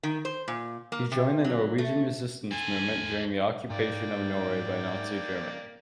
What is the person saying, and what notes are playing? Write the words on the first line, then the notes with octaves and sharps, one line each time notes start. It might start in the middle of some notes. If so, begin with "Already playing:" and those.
He joined the Norwegian resistance movement during the occupation of Norway by Nazi Germany.
D#3
C5
A#2
A#3
C3
F#3
A3
A4 C5 G#5
G#2 A#3 D5 G5